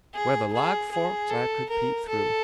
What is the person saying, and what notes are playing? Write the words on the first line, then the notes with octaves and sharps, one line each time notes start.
Where the log forked I could peep through.
G#4
G#4
G#4
A4
A#4
A4